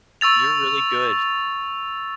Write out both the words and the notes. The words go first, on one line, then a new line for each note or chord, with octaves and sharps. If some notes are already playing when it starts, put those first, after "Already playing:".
You're really good.
C#6 E6 A6 F7